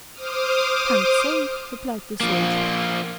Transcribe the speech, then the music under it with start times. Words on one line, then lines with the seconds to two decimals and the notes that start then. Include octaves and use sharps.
"Can't say," replied the soldier.
0.12 C5 D6 D#6 F6
2.21 F3 A#3